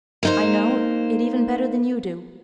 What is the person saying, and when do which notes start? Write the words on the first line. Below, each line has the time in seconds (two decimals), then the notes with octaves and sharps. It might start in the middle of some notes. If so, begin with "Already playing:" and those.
I know it even better than you do.
0.23 A#3 D#4 C5